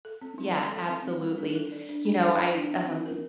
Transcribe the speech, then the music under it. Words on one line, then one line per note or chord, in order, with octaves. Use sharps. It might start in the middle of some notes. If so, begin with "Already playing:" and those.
Yeah, absolutely. You know, I, um,
A4
C4
D#4
G3
A4
C4
D#4
G3
D4
A4
D5
D4
D4
A4
D5
D4
C4
F#4
A#4